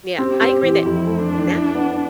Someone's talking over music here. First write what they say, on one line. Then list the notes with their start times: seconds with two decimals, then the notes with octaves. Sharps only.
Yeah, I agree that now,
0.18 C4 G4
0.41 C4
0.63 E3
0.85 F2 E4
1.07 A3
1.19 D4
1.30 A3
1.53 E4
1.75 B3